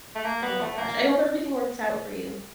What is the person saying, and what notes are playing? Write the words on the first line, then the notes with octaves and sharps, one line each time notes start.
Oh, my gosh. I hope everything works out for you.
A3
A#3
B3
A3
A#3